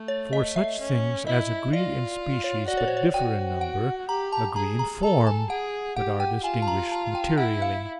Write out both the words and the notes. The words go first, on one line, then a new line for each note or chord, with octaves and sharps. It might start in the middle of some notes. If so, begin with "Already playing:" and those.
For such things as agree in species but differ in number, agree in form, but are distinguished materially.
Already playing: A3
C#5
D#5
E5
C#4
E4 D#5
F4 D5
C#5
F#4 D5
C#5
C5
C#5
F#4 G5
F#5
G4 A#5
A5
G#4 A#5
A#5
A4 A5
G#5
G#4 F#5
G4 F#5
G5
F4 G#5
A5
A#5
A5
G5
E4 F#5
F5